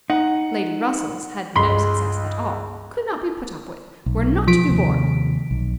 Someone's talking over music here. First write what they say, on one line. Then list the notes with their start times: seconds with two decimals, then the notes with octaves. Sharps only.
Lady Russell's had no success at all: could not be put up with, were not to be borne.
0.10 D#4 F#5
1.56 C#2 G2 G#3 B5 C6
4.06 B1
4.48 F3 B6 D7
4.67 D#2 C3
5.51 B1